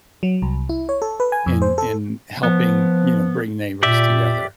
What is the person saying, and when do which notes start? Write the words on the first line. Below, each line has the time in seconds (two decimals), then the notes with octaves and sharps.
in in helping, you know, bring neighbors together,
0.23 F#3
0.42 C2
0.69 E4
0.89 C#5
1.02 A4
1.20 B4
1.32 G#5
1.46 F2
1.62 C5
1.78 A4
2.43 F3 B3
3.83 A#2 G4 D5 E5